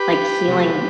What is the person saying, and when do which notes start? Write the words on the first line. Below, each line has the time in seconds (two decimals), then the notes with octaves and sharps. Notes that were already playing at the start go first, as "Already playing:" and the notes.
like healing
Already playing: G4 B4
0.48 C3 F#3 A3